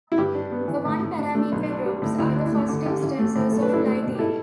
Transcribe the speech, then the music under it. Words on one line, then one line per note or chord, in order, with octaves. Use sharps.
The one-parameter groups are the first instance of Lie theory.
E4
G2 G4
D4
B3
E3
A2
A2
D4
A3
B1
D4
G3
A2
D2 E4
D4
E4
A3
D3
A1 G4
A1
A3
A2
B1 A4
B4
D4 E4 A4
A3
B2
G4
E4 A4